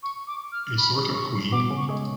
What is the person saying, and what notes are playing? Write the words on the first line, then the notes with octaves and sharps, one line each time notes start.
A sort of queen.
C#6
D6
F6
B5
C#6
B2 B3 D6
C#3 C#4
C#6
G#3 G#4